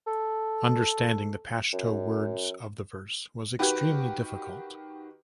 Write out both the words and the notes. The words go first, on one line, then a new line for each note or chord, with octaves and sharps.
Understanding the Pashto words of the verse was extremely difficult.
A4
F#2
D#3 F#4 G4 B4